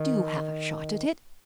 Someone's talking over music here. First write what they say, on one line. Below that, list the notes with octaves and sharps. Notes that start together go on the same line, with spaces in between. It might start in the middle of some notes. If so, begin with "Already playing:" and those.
Do have a shot at it.
Already playing: D#3